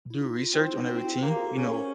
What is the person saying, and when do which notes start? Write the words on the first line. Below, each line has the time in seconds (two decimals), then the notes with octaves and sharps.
do research on their routine, you know,
0.10 E4
0.18 D#4 F4
0.53 C4 E4
0.64 D#4
0.77 D#4
0.87 C4 E4 F#4
1.05 F4 G4
1.21 A#3 F4 G4
1.33 F#4 G#4
1.44 G4 A4
1.56 C#4 G#4 A#4
1.73 A#4 C5